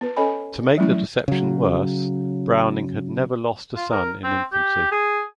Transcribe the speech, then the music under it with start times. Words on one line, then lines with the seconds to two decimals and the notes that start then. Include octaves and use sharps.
To make the deception worse, Browning had never lost a son in infancy.
0.01 B3 B4
0.16 C#4 A4 C#5 D#5 G#5 B5
0.77 E3 F#3 G3 A3 C#4 E4
1.28 C#3 F#3
3.76 F4
3.91 A#4
4.24 C4
4.53 G4
4.92 G#4